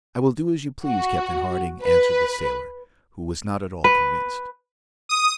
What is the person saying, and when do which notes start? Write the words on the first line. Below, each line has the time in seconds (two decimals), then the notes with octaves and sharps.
"I will do as you please, Captain Harding," answered the sailor, who was not at all convinced.
0.86 F#4
1.83 B4
3.84 B4
5.09 D#6